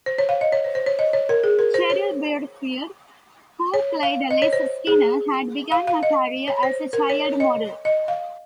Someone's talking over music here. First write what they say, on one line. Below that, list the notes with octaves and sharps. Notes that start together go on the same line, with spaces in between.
Cheryl Burfield, who played Liz Skinner, had begun her career as a child model.
C5
C#5
F5
D#5
C#5
C5
C5
C#5
D#5
C#5
A#4
G#4
A#4
C5
C#5
C#5
F5
D#5
C#5
C5
G#4
F5
F5
D#5
C#5
C5
A#4
C#5
C#5
D#5
D#5
F5